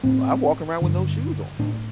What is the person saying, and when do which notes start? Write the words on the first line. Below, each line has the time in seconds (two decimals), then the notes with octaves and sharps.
Well, I'm walking around with no shoes on,
0.03 A2 C4
0.81 G2 D3
1.59 A2 D4